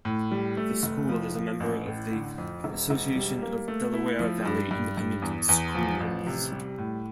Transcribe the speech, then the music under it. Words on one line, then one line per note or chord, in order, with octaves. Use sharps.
The school is a member of the Association of Delaware Valley Independent Schools.
A2
G3
A3
F1
F3
F3
A1
A2
D3
F2
E1
E1
G3
A#3
A3
E4
F3
G2
G2
G2
E2
E2
F3
A1
C3
G3
A2